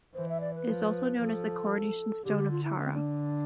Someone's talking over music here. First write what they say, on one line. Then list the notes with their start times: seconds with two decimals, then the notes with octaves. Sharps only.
It is also known as the Coronation Stone of Tara.
0.14 E3 C5
0.29 E5
0.40 D5
0.54 B4
0.67 F3
1.19 F3 A4 B4
2.24 D3 G4
2.38 G4
2.51 F4
2.64 E4
2.77 D3 D4
2.84 C4
2.93 D4